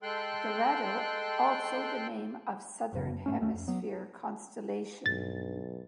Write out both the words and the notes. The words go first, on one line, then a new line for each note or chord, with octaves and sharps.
Dorado also the name of southern hemisphere constellation.
G#3 A4 G5 C6 F#6
A1 F#2 C#3
F#2
G#2 A3 C#4
D#2 A3 C4 C#4
F2
F#3 B3
B1 G2 A6